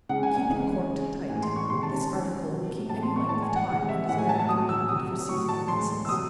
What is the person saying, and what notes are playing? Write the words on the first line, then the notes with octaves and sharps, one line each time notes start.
Keep it corked tight. This article will keep any length of time, and is very convenient for seasoning ices.
C#3 G#3 F#5
G#5
G#5
C#3 E3 G#3
C#3 G#3
A2 E3 G#3 G#5
C6
C#6
C3 D#3 G#3 C6
A5
A5
C#3 G#3
C3 F#3
A2 E3 G#3 A5
C6
C#6
A2 E3 G#3 A5
G#5
F#5
C3 E3 G#3 F#5
E5
A2 E3 G#3 F#5
G#5
A5
A5
A2 F#3 D#6
E6
C3 F#3 D#6
A2 F#3 C#6
A5
A2 E3 G#3 C6
E6
C3 F#3 D#6